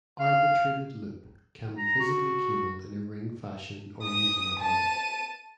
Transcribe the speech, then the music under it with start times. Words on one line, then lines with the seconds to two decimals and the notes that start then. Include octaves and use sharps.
Arbitrated loop can be physically cabled in a ring fashion or using a hub.
0.20 F5
1.78 A#5
2.00 F#4
4.03 D#6
4.60 A5 D#7